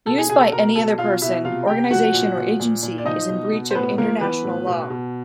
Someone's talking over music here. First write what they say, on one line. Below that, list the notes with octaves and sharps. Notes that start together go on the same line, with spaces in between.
Use by any other person, organisation or agency is in breach of international law.
B2 A4 A5
G#4 G#5
B2 G#4 G#5
A4 A5
B2 A#4 A#5
B2 A4 A5
B2 F4 F5
B2 E4 E5
C3 F4 F5
C3 G4 G5
F3 F#4 F#5
A#2
F3
A#2
A#2
D5
F3 D#4 D#5
B2
B2
C5
A2 B3 B4
F3 A#3 A#4
E3 B3 B4
A2
B2
B2